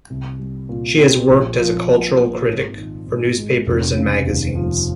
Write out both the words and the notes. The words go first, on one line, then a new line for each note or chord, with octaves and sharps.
She has worked as a cultural critic for newspapers and magazines.
C2
G3
A#2
C4
A#1
F3
A#2
A#3
G#1
D#3
G#2
G#3
F1
C#3
D#2
F3